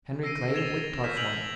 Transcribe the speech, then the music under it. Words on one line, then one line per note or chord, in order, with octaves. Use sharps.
Henry Clay, Whig platform.
E6 A#6 C7 D7 D#7
G#6 A6 E7 F7 G7
F6 G6 G#6 B6 E7
E6 G6 D7 F7 F#7